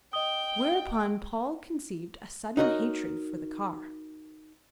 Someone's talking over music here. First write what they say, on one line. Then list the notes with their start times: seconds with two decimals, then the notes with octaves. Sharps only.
Whereupon Paul conceived a sudden hatred for the car.
0.13 D#5 G5 D#6 G7
2.57 D#4 F#4 A#4 C#5 D#5